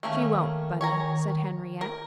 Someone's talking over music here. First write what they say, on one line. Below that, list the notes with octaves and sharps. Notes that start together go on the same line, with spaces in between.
"She won't, Bunny," said Henriette.
D#3 A3 A#3 C#4
C#5 G#5 A#5
A#4